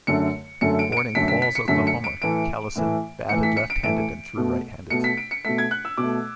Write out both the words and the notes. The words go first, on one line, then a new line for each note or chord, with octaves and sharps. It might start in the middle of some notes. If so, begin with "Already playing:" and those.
Born in Qualls, Oklahoma, Callison batted left-handed and threw right-handed.
F#2 D3 A3 C#7
F#2 D3 A3 C#7
D7
D7
C#7
F#2 D3 A3 B6
B6
B6
C#7
F#2 D3 A3 B6
C#7
D7
A2 E3 A3 D7
A2 E3 A3
A2 E3 A3 C#7
B6
C#7
D7
A2 E3 A3 D7
B2 A3
B2 A3 C#7
B6
D7
C#7
B2 A3 B6
G#6
F#6
E6
B2 D6
A3